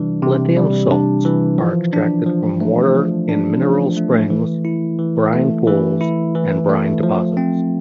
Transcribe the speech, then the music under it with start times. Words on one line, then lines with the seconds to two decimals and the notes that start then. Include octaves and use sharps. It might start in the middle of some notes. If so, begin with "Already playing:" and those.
Lithium salts are extracted from water in mineral springs, brine pools, and brine deposits.
Already playing: C3 E3 G3 D4
0.23 C3
0.57 G3
0.91 D4
1.25 E3
1.58 F3
1.93 D4
2.26 F3
2.60 A3
2.95 F3
3.29 D4
3.62 F3
3.97 A3
4.30 E3
4.65 E4
4.99 E3
5.33 A3
5.67 E3
6.01 E4
6.35 E3
6.69 A3
7.03 F3
7.37 C4